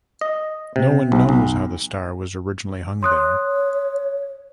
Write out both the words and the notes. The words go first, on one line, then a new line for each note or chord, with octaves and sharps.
No one knows how the star was originally hung there.
D#5
C3
B1
B1
C#5 C6 D#6 F#6